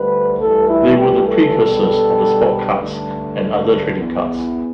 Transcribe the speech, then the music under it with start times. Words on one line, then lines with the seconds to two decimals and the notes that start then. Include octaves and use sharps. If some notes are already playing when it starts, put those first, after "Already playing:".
They were the precursors of the sport cards and other trading cards.
Already playing: D2 D3 G3 B4
0.39 G2 E3 A3 D4 A4
0.69 E4
0.98 G4
1.28 A4
1.57 B2 G3 B3 D4
2.75 G2 D3 A3 D4
3.95 E2 E3 B3